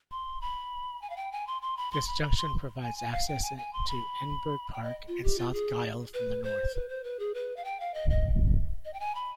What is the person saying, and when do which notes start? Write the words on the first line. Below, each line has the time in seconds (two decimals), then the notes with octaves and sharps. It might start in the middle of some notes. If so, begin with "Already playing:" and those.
This junction provides access into Edinburgh Park and South Gyle from the north.
0.11 C6
0.41 B5
1.02 G#5
1.10 F5
1.17 G5
1.32 G#5
1.47 C6
1.62 C6
1.77 B5
1.92 C6
2.07 B5
2.23 B5
2.37 C6
2.83 G#5
2.98 G#5
3.12 F5
3.28 G5
3.43 G#5
3.58 G#5
3.73 C6
3.88 B5
4.74 G5
4.83 D#5
5.08 F4
5.23 G4
5.38 F4
5.53 G#4
6.14 B4
6.44 C5
6.74 B4
6.89 C5
7.04 B4
7.19 G#4
7.34 B4
7.56 F5
7.64 G5
7.80 F5
7.94 D#5
8.10 D#5
8.85 D#5
8.93 G5
9.00 G#5
9.15 B5